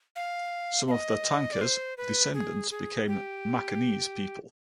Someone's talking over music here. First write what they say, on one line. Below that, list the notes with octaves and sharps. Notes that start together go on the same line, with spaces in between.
Some of the Tanka's descendants became Macanese people.
F5
F5
D#5
D5
C5
B4
G#4
G#4
G4